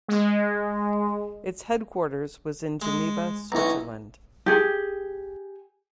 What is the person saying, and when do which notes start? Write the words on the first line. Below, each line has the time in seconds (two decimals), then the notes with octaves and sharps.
Its headquarters was in Geneva, Switzerland.
0.08 G#3
2.82 G#3
3.52 B1 C#4 E4 A#5
4.46 G4 G#4